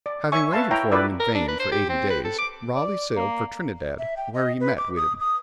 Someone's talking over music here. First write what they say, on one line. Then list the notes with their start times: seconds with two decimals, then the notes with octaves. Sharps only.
Having waited for him in vain for eighty days, Raleigh sailed for Trinidad, where he met Whiddon.
0.06 D5
0.32 C#5 E5 G#5 C#6
0.52 B4 E5 F5 A5 C6
0.71 E4 C#5 E5 G5 A#5
0.91 F4 A4 B4 D5 D6 E6
1.20 A#4
1.35 D4
1.48 B4
1.59 C5
1.72 G4
1.89 C4
2.10 B4
2.25 A4
2.38 D6
2.75 D5
3.16 A#3
3.99 E5
4.17 G5
4.34 D#5
4.60 B4
4.78 D6
4.96 D#6
5.20 D#6